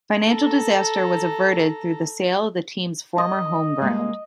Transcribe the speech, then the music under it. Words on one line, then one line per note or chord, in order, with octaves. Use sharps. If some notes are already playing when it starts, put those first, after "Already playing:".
Financial disaster was averted through the sale of the team's former home ground.
A4 A#5
D#5
G3 G#3 A#3